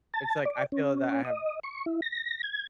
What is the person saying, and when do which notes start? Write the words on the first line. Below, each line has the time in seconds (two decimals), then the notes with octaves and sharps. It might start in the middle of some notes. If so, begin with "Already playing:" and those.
It's like, I feel that I have
0.14 A5
0.45 D5
0.72 C#4
1.25 D#5
1.63 C#6
1.86 E4
2.02 A#6
2.43 G#6